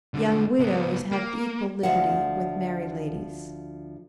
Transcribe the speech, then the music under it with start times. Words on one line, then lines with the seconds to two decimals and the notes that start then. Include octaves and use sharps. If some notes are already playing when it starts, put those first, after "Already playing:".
Young widows have equal liberty with married ladies.
0.14 D3 G#3
0.59 C#2 B3
1.11 A#3
1.83 D2 F3 F#5